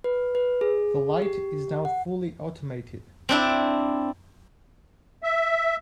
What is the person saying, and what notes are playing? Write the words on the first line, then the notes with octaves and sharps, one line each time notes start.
The light is now fully automated.
B4
B4
G#4
G4
F#5
C4 D4 E4
E5